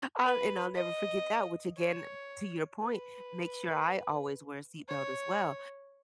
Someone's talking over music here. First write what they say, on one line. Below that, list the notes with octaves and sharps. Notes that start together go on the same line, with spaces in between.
I'll and I'll never forget that, which again, to your point, make sure I always wear a seat belt, as well.
B4
D#5
C#5
B4
C#5